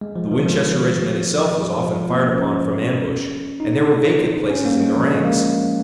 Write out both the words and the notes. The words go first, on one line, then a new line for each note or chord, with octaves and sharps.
The Winchester regiment itself was often fired upon from ambush, and there were vacant places in the ranks.
G#3
F3
D#3
F3
F3
F3
A#3
C#4
D#4
C#4
A#3
G#3
F3
G#3
A#3